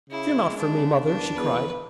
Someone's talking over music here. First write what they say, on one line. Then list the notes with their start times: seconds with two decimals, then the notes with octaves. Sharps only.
'Fear not for me, mother,' she cried.
0.10 C#3 E4
0.43 G#3
0.57 D4
0.74 C#3
1.05 E2 D4
1.36 E2 B4